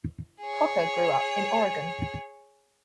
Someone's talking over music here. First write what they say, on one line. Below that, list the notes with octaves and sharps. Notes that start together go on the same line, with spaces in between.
Kocher grew up in Oregon.
G#4 C#5